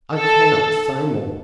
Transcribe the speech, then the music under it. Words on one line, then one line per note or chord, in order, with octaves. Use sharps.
I cannot say more.
A4